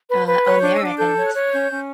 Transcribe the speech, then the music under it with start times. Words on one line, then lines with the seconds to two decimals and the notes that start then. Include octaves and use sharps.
uh, on their end,
0.09 B4
0.27 B4
0.45 C#5 F#6
0.58 D4 G6
0.75 E6
0.81 D4 D6
0.98 A4 G6
1.16 C#5
1.25 F#6
1.34 C#5
1.52 C#4 G6
1.70 C#4